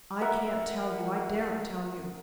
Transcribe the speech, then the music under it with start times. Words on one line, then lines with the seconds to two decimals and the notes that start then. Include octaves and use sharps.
"I can't tell you--I daren't tell you."
0.21 A#4 E5 F#5